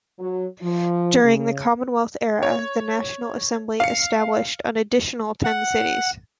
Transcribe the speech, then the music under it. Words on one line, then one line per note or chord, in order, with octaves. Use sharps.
During the Commonwealth era, the National Assembly established an additional ten cities.
F#3
F3
C#3
C#5
F5 C#7
F#5